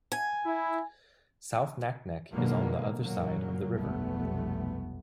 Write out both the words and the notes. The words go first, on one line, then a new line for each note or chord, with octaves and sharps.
South Naknek is on the other side of the river.
G#5
E4
B2 D3 D#3 F#3 G#3 A#3
F#2 A#2 C#3 F#3 A#3
F1 B1 G2 A3 B3